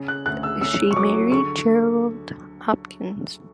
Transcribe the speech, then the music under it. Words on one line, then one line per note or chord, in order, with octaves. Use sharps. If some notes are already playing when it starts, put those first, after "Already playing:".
She married Gerard Hopkins.
Already playing: C#3
F#6
D2 F#6
E6
C#4 E6
C#6
F#3 D6
D3 C#6